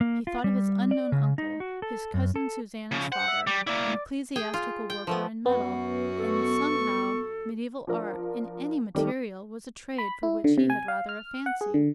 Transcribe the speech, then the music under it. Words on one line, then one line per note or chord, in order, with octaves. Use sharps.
He thought of his unknown uncle, his cousin Susanna's father, an ecclesiastical worker in metal, and somehow mediaeval art in any material was a trade for which he had rather a fancy.
A#3
F4
G3
D5
C#3
D#4
F#4
A4
F#2
A4
C#3 F3
C5 F#5
E5
G3 D6
A#3 E4 D5
G#4 G5
F4
G5
F3 A3 B3
F#2 B3 F#4
A4 C#6
F3 D4 A#4
D#3 G3 A3 G4
B5
E4
D3
C3
G#5
F5
F6
F#5
G#4
D3